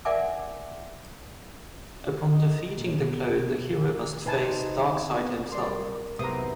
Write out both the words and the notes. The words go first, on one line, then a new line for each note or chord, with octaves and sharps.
Upon defeating the clone, the hero must face Darkseid himself.
A#4 D5 E5 F#5 G#5 D6
D#5
A#2
B2
B2
C3 D#4 B4 G#5 A5
B3
G3 A#4 D5 C6
B1 E2 C3 B3 A#5 D#6